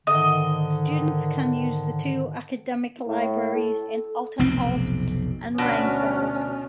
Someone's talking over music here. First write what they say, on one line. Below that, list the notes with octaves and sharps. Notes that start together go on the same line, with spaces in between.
Students can use the two academic libraries in Altenholz and Reinfeld.
G#2 D3 D#3 D#5
A2
A4
F1 B1 C4
D2 B2 C#4 D4 F6